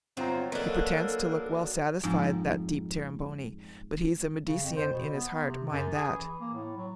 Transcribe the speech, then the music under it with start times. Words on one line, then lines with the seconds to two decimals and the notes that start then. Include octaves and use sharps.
"He pretends to look well satisfied--that deep Tornabuoni--but he's a Medicean in his heart: mind that."
0.17 G1 F#3 C4 F4 A#5
0.52 F#3 A#3 D4 A4 B4 D#5
2.03 F2 G#2
4.46 C#3
4.63 F2
4.76 C5
4.92 B2
5.11 B3
5.45 C3
5.70 F#2
5.94 G#4
6.10 E3
6.40 A#3
6.54 A2
6.77 F#3